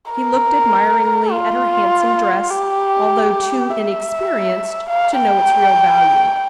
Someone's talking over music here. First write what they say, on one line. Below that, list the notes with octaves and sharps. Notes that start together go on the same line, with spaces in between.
He looked admiringly at her handsome dress, although too inexperienced to know its real value.
A#4
F4
G4
E5
F5
G5